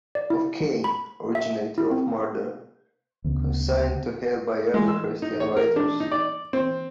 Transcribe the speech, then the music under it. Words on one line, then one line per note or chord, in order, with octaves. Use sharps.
Of "Cain", originator of murder, consigned to Hell by early Christian writers.
D5
E4
B5
E5
E4
C4
D2 C#3 B3
G#3
E6
D#4
C#5
A#4
D4
D#4
D5
C4